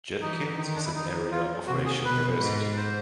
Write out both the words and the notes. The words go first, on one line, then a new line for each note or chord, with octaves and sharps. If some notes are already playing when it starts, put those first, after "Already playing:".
Judkins is an area of racial diversity.
E3 D#4
D#3 D#4
D4
E4
D#4
F4
C3 F#4
G#4
B2 B4
G#2
C5